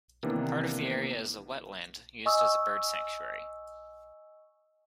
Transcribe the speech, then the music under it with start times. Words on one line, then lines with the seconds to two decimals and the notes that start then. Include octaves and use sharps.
Part of the area is a wetland used as a bird sanctuary.
0.23 C3 D#3 E3 A#3 B3 D4
2.26 D#5 G#5 C#6 D#6 E6